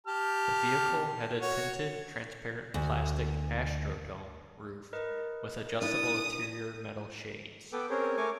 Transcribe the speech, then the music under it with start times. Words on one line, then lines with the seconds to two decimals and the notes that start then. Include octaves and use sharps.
The vehicle had a tinted, transparent, plastic "astrodome" roof with adjustable interior metal shades.
0.07 G4 A5 F6
1.41 F#4 C#5
2.74 D2
4.93 A#4 B4 D#5
5.82 D4 E4 D#6
7.73 B3 A4 B4 G5 D6
7.90 C4 C#4 G#4 A#4 C5 C#5
8.17 A3 A#4 C#5 G#5 C#6 D6